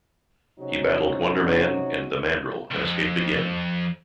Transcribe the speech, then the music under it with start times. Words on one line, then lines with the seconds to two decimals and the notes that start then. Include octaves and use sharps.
He battled Wonder Man and the Mandrill, and escaped again.
0.60 C3 F#3 C#4 D#4 F#4 G#4
2.71 C2 F2